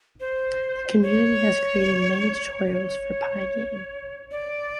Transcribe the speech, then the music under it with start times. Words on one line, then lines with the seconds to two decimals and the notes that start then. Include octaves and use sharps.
The community has created many tutorials for Pygame.
0.20 C5
1.02 C#5
2.66 D5
2.71 C#5
4.31 D5